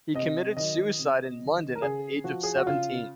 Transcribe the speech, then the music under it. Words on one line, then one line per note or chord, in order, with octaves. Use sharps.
He committed suicide in London at the age of seventeen.
C3 D#5
D#3 F#3 D#5
C3
D#3 F#3
A#4
C#3 G#4
F3 F#4
G#4
F#4
C#3 F4